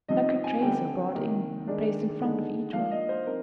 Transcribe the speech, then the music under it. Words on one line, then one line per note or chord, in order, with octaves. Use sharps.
Lacquered trays were brought in and placed in front of each one.
C3 F3 C4 D#4 D#5
G#5
D3 G3 C4 G5
C3 D#3 A#3 D#4
D#3 G#3 D4
D3 G#3 D#4
F3 A#3 D4 F5
D#5
C5
C4 D#4 A#4